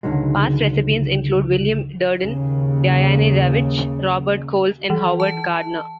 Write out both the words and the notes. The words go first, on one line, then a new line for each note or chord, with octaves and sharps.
Past recipients include William Durden, Diane Ravitch, Robert Coles, and Howard Gardner.
C#2 D3 D#3 F#3 G#3
D#2 C#3
E3
A5